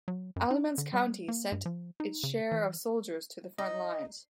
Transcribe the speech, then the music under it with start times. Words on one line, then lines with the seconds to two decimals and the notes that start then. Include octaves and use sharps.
Alamance County sent its share of soldiers to the front lines.
0.08 F#3
0.36 F#2
0.51 D#4
0.78 D3
0.93 G3
1.28 A#3
1.52 G2
1.66 F3
2.00 D#4
2.23 C#3
2.52 E3
3.58 D#4 D#5